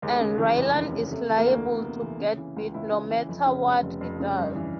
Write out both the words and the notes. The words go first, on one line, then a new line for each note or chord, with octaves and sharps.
And Raylan is liable to get bit no matter what he does.
D#2 G#3
C#3
E3
F1
D#2
C#3
C3 A3
E3
A#3
D2
D2 B3
C3
E3
C#3
E3
C#2
C#2 E4
C#3
E3
F2
C#3
F1
F1
F2
C#3
G2
E3